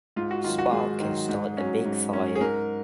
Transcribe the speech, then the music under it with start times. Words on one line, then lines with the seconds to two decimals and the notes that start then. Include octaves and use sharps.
Spark can start a big fire.
0.16 G#2 F4
0.31 F#4
0.44 D#3 F#3 F4
0.59 F#4
0.72 G#2 G#4
1.01 D#3 F#3
1.28 G#2
1.57 F#3 C#4
1.85 G#2
2.13 F#3 C#4
2.35 G#4
2.41 G#2 A#4